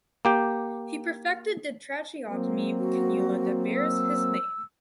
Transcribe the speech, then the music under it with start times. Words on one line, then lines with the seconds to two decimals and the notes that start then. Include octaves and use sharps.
He perfected the tracheotomy cannula that bears his name.
0.25 A#3 G4 G5
2.27 F#3 A#3 C4
2.78 F#4
3.76 E6